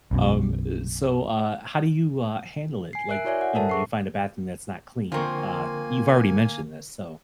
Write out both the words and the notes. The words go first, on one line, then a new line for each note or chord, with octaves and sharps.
Um, eh, so, uh, how do you, uh, handle it? Like when you find a bathroom that's not clean, uh, you've already mentioned this, so
B1 F#2 B2
G#5 C7
A#4 E5 F#6 D7
E4 F#4 C#5 D5 E5 G#5
F#5
A4 A#4 C5 E5 A5
G#4 C#6 C7
D3 F3 A#3 C4 A#4 G#5 C#6